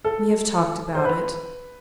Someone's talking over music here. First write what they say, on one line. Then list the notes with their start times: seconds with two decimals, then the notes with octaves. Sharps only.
We have talked about it.'
0.04 A4
0.95 C5
1.05 B4